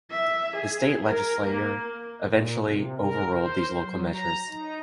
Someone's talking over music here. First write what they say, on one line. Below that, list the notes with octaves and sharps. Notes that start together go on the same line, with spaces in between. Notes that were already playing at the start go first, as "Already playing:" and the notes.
The state legislature eventually overruled these local measures.
E5
G#4
A#4
A#3
A#2
C3
A#4
C5
F#3
A#5
D#4